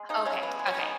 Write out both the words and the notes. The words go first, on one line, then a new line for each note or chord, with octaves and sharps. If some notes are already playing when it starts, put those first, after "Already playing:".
Okay, okay.
Already playing: G#3
C#3 D#4
C#3 C#4
C#3 B3
G#3
C#4
B3
D#4